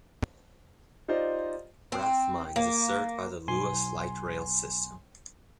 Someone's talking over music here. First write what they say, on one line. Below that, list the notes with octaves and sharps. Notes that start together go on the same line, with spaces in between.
Rathmines is served by the Luas light rail system.
D#4 F4 G4 C5 D5 D#5
C4
A#3
B1 G#5 C6